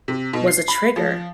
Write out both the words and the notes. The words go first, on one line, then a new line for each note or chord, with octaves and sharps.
was a trigger."
C3
B2
C7
B5
F3